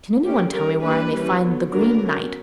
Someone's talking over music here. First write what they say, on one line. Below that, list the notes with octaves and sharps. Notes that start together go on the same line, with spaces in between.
'Can anyone tell me where I may find the Green Knight?'
D3 A#3 C#4 G4
G3 C#4 A#4
E3 G3 A#3 D4 B4
E3 G3 C#4
D3 F#3 B3
D3 F#3 B3 D4 A#4
F#3 C#4